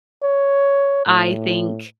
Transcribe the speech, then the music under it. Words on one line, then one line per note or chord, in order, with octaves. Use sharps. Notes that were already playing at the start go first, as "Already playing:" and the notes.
I think,
C#5
A2